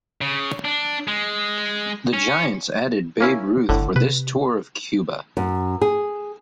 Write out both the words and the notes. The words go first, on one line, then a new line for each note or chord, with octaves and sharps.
The Giants added Babe Ruth for this tour of Cuba.
C#3
D4
G#3
C#4
A#3 C#4 E4
G1 A2 D3
C3 B4
F#2
G#4